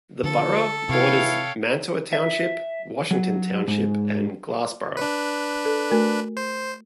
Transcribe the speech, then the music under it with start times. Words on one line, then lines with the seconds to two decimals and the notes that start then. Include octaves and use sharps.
The borough borders Mantua Township, Washington Township and Glassboro.
0.24 D3 F3 A#3 A4
0.89 G#1 C3 E3 E4 C#5 F5 G5
2.13 E5
3.11 F#3
3.68 G#2
4.97 D4 B4
5.65 A4
5.90 A3 F#4 A#4
6.37 C5